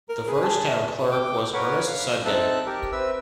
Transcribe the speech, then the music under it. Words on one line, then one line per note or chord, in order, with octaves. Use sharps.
The first Town Clerk was Ernest Sudgen.
A#4
G#4 B4
A5
E5
G5 D6
A#4 B4 C#5 F#5
F5
C4 D#4 A4 E5 A5 F#6
G4 A#4
C4 B4 E5 E6